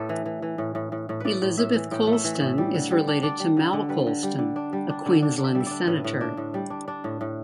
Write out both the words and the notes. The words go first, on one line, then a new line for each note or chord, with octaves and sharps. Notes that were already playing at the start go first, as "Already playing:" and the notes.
Elizabeth Colston is related to Mal Colston, a Queensland Senator.
Already playing: A2 E4 G4 A4 B4
E3
E3
E3
A2
A2
A2
A2
A2 B4 D5
A2
A2 E5
E3
A2 G5
A3
E5
E3
E5
A2
G3
D3
G3
D4
D4 D5
G3
D3
D3
G3 B4
D3
G3
D3
D4
G3
D4
D3
D4
D4
E5
G3
E5
D4 D5
A2 B4
A2
D4
A2
G3
D4
D4
A2
A2